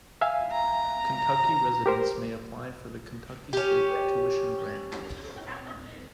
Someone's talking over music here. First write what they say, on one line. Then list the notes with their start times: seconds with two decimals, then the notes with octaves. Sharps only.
Kentucky residents may apply for the Kentucky State Tuition Grant.
0.21 E5 F5 G#5
0.51 A#5
1.86 G4 A#4 C5
3.53 C#4 G4